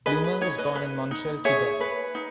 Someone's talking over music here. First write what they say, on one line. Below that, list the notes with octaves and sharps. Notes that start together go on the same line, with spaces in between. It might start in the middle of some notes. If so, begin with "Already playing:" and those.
Blumer was born in Montreal, Quebec.
G#4 B4 D#5
B4
D#4 C#5
B4 D#5
B4
D#4
G#4 C#5 E5
B4
D#4